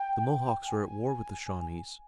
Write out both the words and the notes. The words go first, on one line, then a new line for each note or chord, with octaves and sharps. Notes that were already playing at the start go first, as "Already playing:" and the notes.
The Mohawks are at war with the Shawnees.
Already playing: G5
G#5